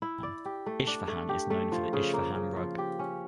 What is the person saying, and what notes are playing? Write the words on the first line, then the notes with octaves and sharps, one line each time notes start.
Isfahan is known for the Isfahan rug.
E4
D5
G4
A3
D4
A3
G4
A3
F3
C#3
A#3
C#3
F3
G4
C#4